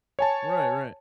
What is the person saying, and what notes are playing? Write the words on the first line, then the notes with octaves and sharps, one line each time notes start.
Right, right.
C#5 G#5 A5